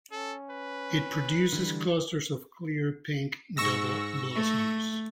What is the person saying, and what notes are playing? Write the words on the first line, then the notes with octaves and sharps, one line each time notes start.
It produces clusters of clear pink double blossoms.
C#4 A4
B4
D3 E3 G3
G#2 C#6 E6 A#6
A3